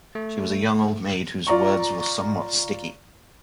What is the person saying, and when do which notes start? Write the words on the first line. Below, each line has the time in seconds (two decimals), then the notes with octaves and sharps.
She was a young old maid whose words were somewhat sticky.
0.15 A3
1.47 F4 D5 A#5 C#6